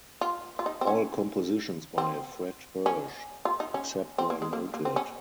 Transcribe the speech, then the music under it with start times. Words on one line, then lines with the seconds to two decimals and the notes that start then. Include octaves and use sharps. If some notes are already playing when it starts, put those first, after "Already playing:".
All compositions by Fred Hersch except where noted.
0.21 F4
0.59 F4
0.66 D#4
0.81 C4
0.87 C#4
1.98 C4
2.86 C#4
3.45 F4
3.60 D#4
3.74 C#4
4.18 C4
4.30 A#3
4.42 G#3
4.53 A#3
4.74 A#3
4.85 C4
4.96 C#4